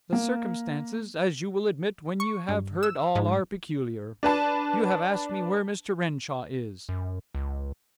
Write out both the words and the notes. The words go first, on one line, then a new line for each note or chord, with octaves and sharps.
The circumstances, as you will admit when you have heard all, are peculiar. You have asked me where Mr. Renshaw is.
A#3
C#6
G2
E6
G#2
D4 B4 A5
F#2
C#2